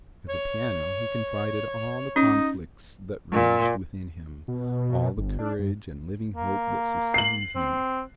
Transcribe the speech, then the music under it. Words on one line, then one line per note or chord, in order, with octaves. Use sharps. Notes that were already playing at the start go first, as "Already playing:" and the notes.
To the piano he confided all the conflicts that raged within him, all the courage and living hope that sustained him.
C#5
C#4 D#4
A#2
B2
G1
D4
G2
A#3
C7 F#7
C4